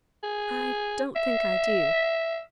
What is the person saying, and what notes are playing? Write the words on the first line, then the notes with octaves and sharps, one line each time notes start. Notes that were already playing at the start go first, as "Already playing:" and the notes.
'I don't think I do.
G#4
E5